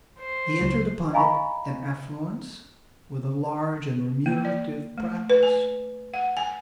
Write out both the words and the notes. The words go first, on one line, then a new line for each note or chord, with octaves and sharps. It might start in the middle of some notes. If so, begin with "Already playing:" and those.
He entered upon it in affluence, with a large and remunerative practice.
C5
C#2 F#2
D#5 F5 G#5 A#5 B5 C#6
A#3
D5
A3
B4
G#5
F#5
G#5